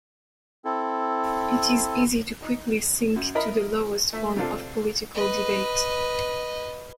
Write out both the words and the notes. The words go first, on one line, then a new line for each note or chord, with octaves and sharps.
It is easy to quickly sink to the lowest form of political debate.
C4 E4 A4
D#4
F#2
E4 A#4 D#5 B5
A3 E5
C3 C4 D4 F4 A4
B4 D#5